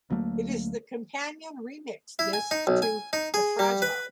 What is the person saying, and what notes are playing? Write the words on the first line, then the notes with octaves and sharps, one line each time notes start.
It is the companion remix disc to "The Fragile".
D2 F#3 A3 A#3
E4
G#5
D#4
B1
G#5
D#4
G#4
G3
B4